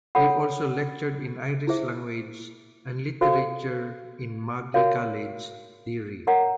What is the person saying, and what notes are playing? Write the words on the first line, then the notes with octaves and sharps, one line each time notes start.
He also lectured in Irish language and literature in Magee College, Derry.
A4 C#5 F#5 B5
E4 G#4 C5 E5
F#4 A4 C5 F5
F#4 A#4 C#5 F5
A#4 C#5 F#5 A#5